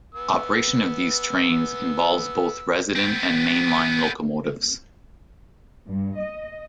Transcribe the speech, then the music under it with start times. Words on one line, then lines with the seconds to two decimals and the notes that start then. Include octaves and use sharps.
Operation of these trains involves both resident and mainline locomotives.
0.15 B3 E6
2.96 B3 C4
5.86 G2
6.19 D#5